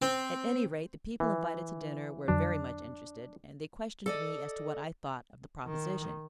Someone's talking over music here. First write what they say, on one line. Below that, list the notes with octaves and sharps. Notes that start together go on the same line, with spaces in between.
At any rate the people invited to dinner were very much interested, and they questioned me as to what I thought of the proposition.
C4
E3
F2 D3 F#3 D4
A4 D5 D#5
D#3